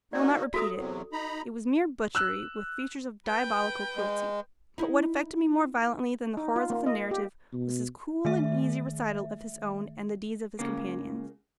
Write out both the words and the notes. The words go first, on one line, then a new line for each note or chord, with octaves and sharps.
I will not repeat it; it was mere butchery, with features of diabolic cruelty; but what affected me more violently than the horrors of the narrative was his cool and easy recital of his own and the deeds of his companions.
A#3 D#4 F#4 D5
F#4 A4 E5 A#5 D#6
E2 C3 F#3
D#4 A#5 B5
E6 F#6
B4 G5
G#3
D#4 E4
D#4
F4
A#3
D#5
G4
B2
D#3 A3 E5
C#2 C#3 A#3